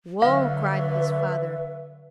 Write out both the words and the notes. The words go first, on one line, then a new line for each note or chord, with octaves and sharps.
"Whoa!" cried his father.
D3 F#3 B4 E5 F5